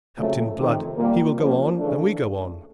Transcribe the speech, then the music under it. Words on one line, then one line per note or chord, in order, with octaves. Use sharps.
Captain Blood, he will go on, and we go on.
F2 C#3 F#3 A3
F2 C3 D#3
A#2 G3 A#3
F3 A#3 C#4
C#3 E3 A3 D4